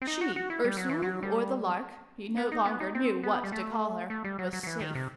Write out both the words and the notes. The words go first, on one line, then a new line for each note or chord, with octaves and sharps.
She, Ursule or the Lark, he no longer knew what to call her, was safe.
C4
D#4
F#4
F#4
E4
G3
F#3
E3
F#3
G3
B3
D#4
B3
D#4
C4
B3
G3
A3
A3
G3
F#3
F#3
F#3
E3
D#3
C3